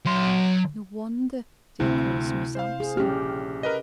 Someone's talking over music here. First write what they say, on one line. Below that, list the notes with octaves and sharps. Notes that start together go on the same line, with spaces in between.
No wonder day calls me Sampson.
F#3 C6
D2 C3 C4 E4
C5 F5
G#4
A#1 C#4 G4 F6
A#4 B4 D#5